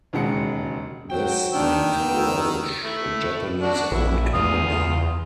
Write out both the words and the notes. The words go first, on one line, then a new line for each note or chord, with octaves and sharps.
This made Grolsch a Japanese owned company.
E1 D#2 C#3 G#3 F#4 C#7
F#3 F#4 C5 G5
D#3 D4 G5 E6
B3
A3 E4
D4 F#4
A#1 E4
E2 F4 D#6